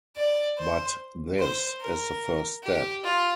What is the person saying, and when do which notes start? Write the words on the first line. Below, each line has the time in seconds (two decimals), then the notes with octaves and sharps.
But this is the first step.
0.16 D5
0.58 C5
1.39 C5
1.80 A#4
2.63 G4
3.04 F4